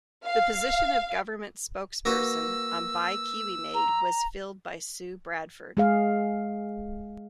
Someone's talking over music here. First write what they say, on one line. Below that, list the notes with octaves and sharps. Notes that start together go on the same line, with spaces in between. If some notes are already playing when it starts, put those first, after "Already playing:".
The position of government spokesperson on Buy Kiwi Made was filled by Sue Bradford.
F5
A#3 F#4 B4 E6
A#5
G#3 G#4 F5